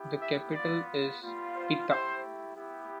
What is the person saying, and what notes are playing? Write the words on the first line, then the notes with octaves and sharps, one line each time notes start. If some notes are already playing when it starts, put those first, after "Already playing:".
The capital is Pita.
Already playing: B3 E4 G4
E5
B3 F4 D5
G3 B3 F4
C5
A3 E4 G4 C5
B3 E4 G4